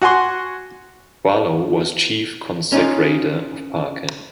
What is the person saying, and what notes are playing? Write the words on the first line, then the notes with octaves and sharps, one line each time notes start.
Barlow was chief consecrator of Parker.
F#4 F#5 G#5 C6 C#6
C#4 D#4 F4